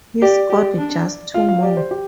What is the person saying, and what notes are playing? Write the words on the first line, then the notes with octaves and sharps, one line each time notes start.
He scored just two more.
G4 D5
G4
D4
F4 F5
F5
G4 D5
C5
G4